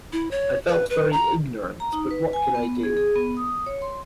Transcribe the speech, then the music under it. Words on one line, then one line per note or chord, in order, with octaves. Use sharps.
I felt very ignorant, but what could I do?
E4
C#5
B4
B4
A#5
A#5
D#4
B4
G#5
B3
G#4
G#4
B3
D#6
C#5
C6